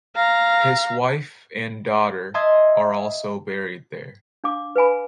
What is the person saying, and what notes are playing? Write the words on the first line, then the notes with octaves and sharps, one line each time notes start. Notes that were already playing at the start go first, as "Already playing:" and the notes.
His wife and daughter are also buried there.
F5 A#5
D#5 E5 A5 C6 D#6 G#6
D4 F5 D6
B4 F5 G#5 B5